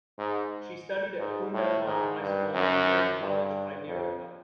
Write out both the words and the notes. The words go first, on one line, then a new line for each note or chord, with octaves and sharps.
She studied at Kundan Mal High School and Miran College Hyderabad.
G#2
G#2
A2
G#2
G2
F#2
G2
F2